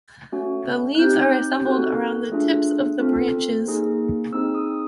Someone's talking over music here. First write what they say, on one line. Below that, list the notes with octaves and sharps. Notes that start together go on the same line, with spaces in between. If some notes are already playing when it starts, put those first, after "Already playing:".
The leaves are assembled around the tips of the branches.
A3 C#4 F#4
F#6
C4 D#4 G4 G6
C4 D#4 F#4 A4 F#6
A3 D4 F4 G#4
C4 F4 A4
A#3 D#4 G#4
C4 D#4 G#4 E6
D#6